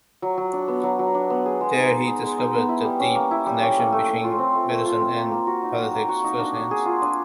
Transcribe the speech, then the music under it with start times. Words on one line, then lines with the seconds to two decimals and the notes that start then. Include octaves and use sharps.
There he discovered the deep connection between medicine and politics firsthand.
0.22 F#3
0.38 F#3
0.53 D4
0.68 B3
0.83 F#3
0.99 F#3
1.15 D4
1.30 B3
1.46 G#4
1.61 G#3
1.76 D#4
1.91 B3
2.07 G#4
2.23 G#3
2.38 D#4
2.54 B3
2.69 E4
2.84 G3
3.00 C#4
3.15 A#3
3.31 E4
3.46 G3
3.62 C#4
3.78 A#3
3.92 A3
4.08 A3
4.23 F4
4.39 C4
4.55 A3
4.70 A3
4.85 F4
5.01 C4
5.16 A#3
5.32 A#3
5.47 F#4
5.63 D#4
5.78 A#3
5.93 A#3
6.09 F#4
6.24 D#4
6.40 D4
6.56 D4
6.71 G#4
6.86 F4
7.02 D4